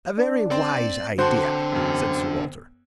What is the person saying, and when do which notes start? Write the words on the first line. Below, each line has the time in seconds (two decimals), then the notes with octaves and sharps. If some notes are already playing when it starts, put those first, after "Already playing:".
"A very wise idea," said Sir Walter.
0.18 D4
0.51 C4 C5 D5
1.19 D3 C4 F#4 C5 A5 C6
1.72 E1 F#2